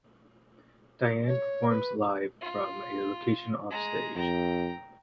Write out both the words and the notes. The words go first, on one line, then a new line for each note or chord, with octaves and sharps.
Dyne performs live from a location off stage.
C#5
B4
F4
G#3 A#5
F2 G5 A#5